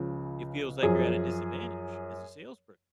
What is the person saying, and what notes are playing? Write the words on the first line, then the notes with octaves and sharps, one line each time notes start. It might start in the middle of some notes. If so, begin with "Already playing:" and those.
it feels like you're at a disadvantage as a salesperson.
Already playing: C#2 C#3 F3
F#2 F3 G#4